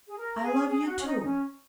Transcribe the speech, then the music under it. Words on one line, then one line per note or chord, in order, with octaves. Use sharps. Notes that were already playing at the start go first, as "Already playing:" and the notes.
I love you too....
G#4
A#4
G#4
G#4
F#4
C#4
D#4
D#4
C#4